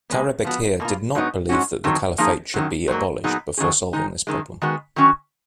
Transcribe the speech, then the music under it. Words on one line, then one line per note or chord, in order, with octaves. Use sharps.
Karabekir did not believe that the caliphate should be abolished before solving this problem.
B2 G#3 B3
F3 B3 F#4
B2 A#3 F4
G#2 F#3 B3 D#4
G#2 F#3 C#4 F#4
F2 D#3 F#3
F3 A#3 D#4 G#4
F#2 D#3 F#3
G#2 F#3 A#3
A#2 F#3 B3 D#4 G#4
D#3 F#3 C#4 G#4
D#3 G#3 D#4
F#2 D#3 G#3
D#3 G#3 B3 F#4
D#3 F#3 C#4 F#4